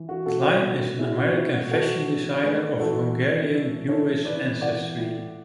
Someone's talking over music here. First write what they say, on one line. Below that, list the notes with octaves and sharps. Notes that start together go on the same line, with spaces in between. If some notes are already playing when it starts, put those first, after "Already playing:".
Klein is an American fashion designer of Hungarian Jewish ancestry.
Already playing: E3
F#4
B2 F#4 A4
B2
B2 E4 G#4
F#4
B2 E4
F#4
E3 F#4 A4
E3
A3 G#4 B4
E3 F#4 A4
E3
E3
E3 A4 C#5
E3 B4 D5
E3 D5 F#5
A2